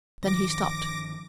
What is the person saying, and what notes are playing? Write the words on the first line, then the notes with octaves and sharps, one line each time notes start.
Then he stopped.
G1 D#3 F3 D6 A#6